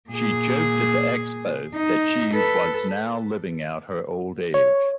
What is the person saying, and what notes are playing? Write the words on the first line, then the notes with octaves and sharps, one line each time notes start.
She joked at the expo that she was now living out her old age.
A#2 G#4
D#4
A4 B4
C#5